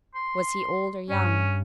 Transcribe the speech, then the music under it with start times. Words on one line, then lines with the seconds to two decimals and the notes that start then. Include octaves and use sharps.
Was he old or young?
0.15 C6
1.09 G2 C#4